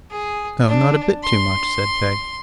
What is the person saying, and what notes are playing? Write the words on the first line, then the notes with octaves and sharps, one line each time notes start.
'No, not a bit too much,' said Peg.
G#4
D4
C6